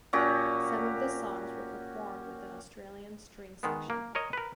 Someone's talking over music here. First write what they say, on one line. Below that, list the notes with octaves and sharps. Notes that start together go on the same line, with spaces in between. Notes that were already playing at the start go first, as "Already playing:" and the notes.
Some of the songs were performed with an Australian string section.
A#2 C#4 F#4 G4
D#3 G#3 B3
A#3
A#4 C#5 D#5
A#4 B4